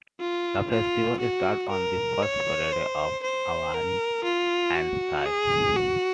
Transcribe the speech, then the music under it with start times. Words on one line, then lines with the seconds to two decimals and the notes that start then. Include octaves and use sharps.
The festival starts on the first Friday of Avani and Thai.
0.20 F4
0.70 F4
1.20 F#4
1.71 A#4
2.23 C#5
2.72 C5
3.23 C5
3.74 A#4
4.24 F4
4.75 F#4
5.26 G#4
5.76 F#4